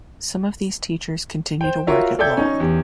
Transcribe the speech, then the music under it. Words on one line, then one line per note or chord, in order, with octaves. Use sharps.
Some of these teachers continue to work at Lowell.
C5 G5
F4 F#4 A#4 C#5 E5 F5
A4 D5 E5 G5 G6 G#6
C#4 D#4
E2 G4